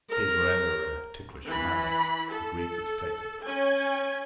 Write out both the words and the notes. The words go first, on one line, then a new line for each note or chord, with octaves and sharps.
"It is rather a ticklish matter," agreed the detective.
A#4
E3 B5
A4
C#4 G#5